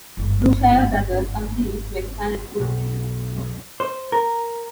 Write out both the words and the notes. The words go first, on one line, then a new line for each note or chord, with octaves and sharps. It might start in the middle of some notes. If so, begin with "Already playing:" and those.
Brookshire Brothers continues to expand its footprint.
G1 G#2
B1
C5
A#4